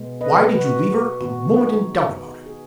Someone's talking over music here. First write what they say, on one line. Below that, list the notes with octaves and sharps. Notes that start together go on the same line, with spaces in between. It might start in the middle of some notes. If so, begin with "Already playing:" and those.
"Why did you leave her a moment in doubt about it?"
Already playing: B2 G#3 B3
B4 D#5
F#4 B4
D#3 B3 F#4
D#4 G#4
G#4